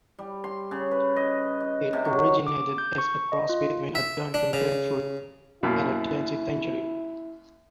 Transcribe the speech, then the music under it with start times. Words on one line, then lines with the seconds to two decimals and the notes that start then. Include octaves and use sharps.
It originated as a cross between a Duncan grapefruit and a Dancy tangerine.
0.19 G3
0.44 C6
0.71 C#3
0.91 B4
1.16 D#5
1.60 D#5
1.93 C3
2.05 F#3
2.47 D6
2.78 G6
2.98 C#6
3.32 D#5
3.49 F4
3.95 E5
4.34 D4
4.53 C#3
5.63 F#2 B2 A#3 E4